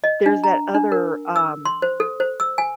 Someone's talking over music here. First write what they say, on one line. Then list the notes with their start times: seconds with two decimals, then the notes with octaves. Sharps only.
there's that other, um
0.04 D#5
0.26 D4
0.44 A#5
0.75 D4
0.92 A#4
1.36 E6
1.65 C6
1.82 C5
2.00 A4
2.20 C5
2.40 E6
2.58 G#5